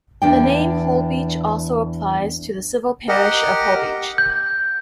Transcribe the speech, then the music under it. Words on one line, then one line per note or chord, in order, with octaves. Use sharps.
The name "Holbeach" also applies to the civil parish of Holbeach.
E2 D4 G5
G4 A#4 D#5 F#5
G6